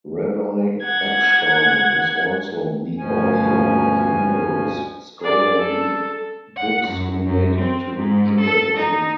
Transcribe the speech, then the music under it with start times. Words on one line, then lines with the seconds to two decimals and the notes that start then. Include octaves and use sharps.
Rabbi Epstein was also the author of numerous scholarly books relating to Judaism.
0.84 F#5 G#6
2.98 D2 G2 B2 F3 C#4 G#5
5.20 G#4 D5
5.59 A4
6.56 F#5
6.88 F#2
7.26 F#2
7.59 C4
7.97 G#2
8.40 A4
8.78 D#4